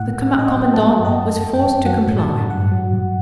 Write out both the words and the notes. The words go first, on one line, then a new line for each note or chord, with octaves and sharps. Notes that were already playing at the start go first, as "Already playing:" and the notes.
The commandant was forced to comply.
Already playing: A2 F#5
A2
A2 D#5
F#5
F#3 G5
A5
F#3
F#5
G2
D#5
F#2 A5
F#2
G5
F#2
F#3 F#5
A2
A5
A2
G2 F#5
F#3
G2